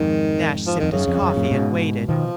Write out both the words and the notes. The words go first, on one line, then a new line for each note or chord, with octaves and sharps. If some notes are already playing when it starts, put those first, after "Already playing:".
Nash sipped his coffee and waited.
Already playing: F2 G#2 D#3
F3
F2 D#3
F#2 C#3
F2
F#2
F#2 A#2
G#2 B2
B2 D#3 F3